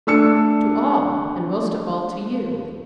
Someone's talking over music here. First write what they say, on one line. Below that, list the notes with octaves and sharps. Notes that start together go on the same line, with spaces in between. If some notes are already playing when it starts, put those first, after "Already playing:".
"To all, and most of all to you."
A3 D4 E6 C#7